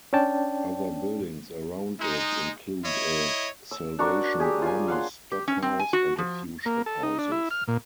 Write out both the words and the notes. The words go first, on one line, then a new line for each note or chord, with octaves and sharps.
Other buildings around it include a Salvation Army stockhouse and a few shophouses.
C#4 D4 C#5 D5 G5 A5
G#3 D#4
E4 C#5 D#5
E6
D4 F#4 A#4 C#6
G4 G#4
F4 G#5
F5 F#5 C6
G4
C#4
C4
G#5
F#4
F3
A#3
A4
D#4
D4
E4
F6
A#2